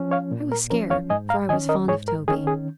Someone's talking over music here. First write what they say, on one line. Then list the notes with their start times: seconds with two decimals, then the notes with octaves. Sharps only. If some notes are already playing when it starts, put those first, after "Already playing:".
I was scared, for I was fond of Toby.
Already playing: F3 C#4
0.11 C#5 F5
0.31 A#2
0.52 A#4
0.70 F3 C#4 A#4
0.90 C#5 F5
1.10 G#2 D#5 G#5
1.29 F5 A#5
1.49 D#3 D#5 G#5
1.53 C#4
1.69 A#4 D#5
1.88 G#2 G#4 C#5
2.08 A#4
2.28 D#3 C#4 G#4
2.47 G#4